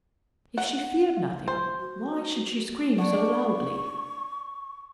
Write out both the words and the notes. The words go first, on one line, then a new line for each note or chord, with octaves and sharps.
If she feared nothing, why should she scream so loudly?
F#5
C5
F#4
D4 F#5 C#6